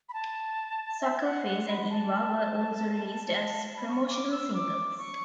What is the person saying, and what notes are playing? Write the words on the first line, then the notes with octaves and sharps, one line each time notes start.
"Suckerface" and "Eva" were also released as promotional singles.
B5
A5
E5
F#5
F#5
B5
A5
A5
B5
C#6
D6
E6
D6
C#6